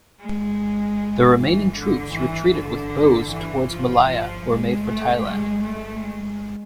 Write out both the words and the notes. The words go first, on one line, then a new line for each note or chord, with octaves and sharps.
The remaining troops retreated with Bose towards Malaya or made for Thailand.
G#3
E3
D3
E3
D3
E3
F3
F3
G#3
A3
G#3
A3
G#3